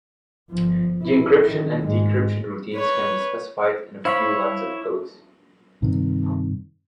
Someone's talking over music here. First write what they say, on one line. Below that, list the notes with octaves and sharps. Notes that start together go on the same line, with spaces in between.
The encryption and decryption routines can be specified in a few lines of code.
G1 F3
E4
D#3
G#2 G#3
B4 C#5
E4 C5 C#5 F5 B5
G2 C3 D#3